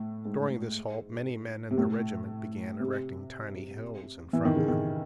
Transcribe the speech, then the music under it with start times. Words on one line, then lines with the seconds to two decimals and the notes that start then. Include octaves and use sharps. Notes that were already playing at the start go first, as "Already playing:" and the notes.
During this halt many men in the regiment began erecting tiny hills in front of them.
Already playing: A2
0.25 G#2
1.71 C3
1.78 A2
2.80 C3
4.33 E3
4.45 D#3
4.56 C#3
4.68 D#3